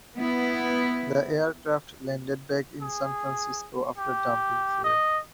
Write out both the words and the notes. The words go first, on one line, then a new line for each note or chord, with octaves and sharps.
The aircraft landed back in San Francisco after dumping fuel.
B3 E4
G#4
G4
D#5